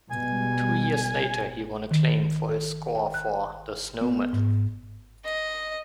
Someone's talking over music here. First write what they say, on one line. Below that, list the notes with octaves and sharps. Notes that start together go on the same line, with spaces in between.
Two years later he won acclaim for his score for "The Snowman".
B2 G3 G#3 G#5
D#3
A4
G5
F#6
B3
G#2
D#5